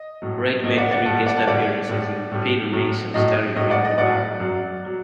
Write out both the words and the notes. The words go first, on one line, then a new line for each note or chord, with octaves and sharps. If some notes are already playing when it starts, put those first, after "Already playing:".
Wright made three guest appearances in "Perry Mason", starring Raymond Burr.
Already playing: D#5
A2 F#3
A2 F#3 D#5
D5 F#5
D5 F#5
A2 G3 F#5 A5
D5 F#5
F#5 A5
A2 G3 D5 F#5
A2 G3
A2 G3
A2 F#3
A2 F#3 D#5
A2 F#3 D#5
D5 F#5
D#5
A2 F#3 D5 F#5
F#2 F#3
F#3